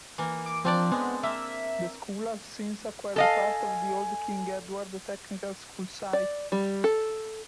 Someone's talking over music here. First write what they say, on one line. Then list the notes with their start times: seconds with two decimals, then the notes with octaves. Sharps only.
The school has since acquired part of the old King Edward Technical School site.
0.18 E3 A#3
0.46 D6
0.65 F3 C4 D4 D5
0.92 G#3 B3
1.23 A#3 E5
3.16 A4 D#5 F5 G#5
6.13 D5
6.52 G3
6.84 A4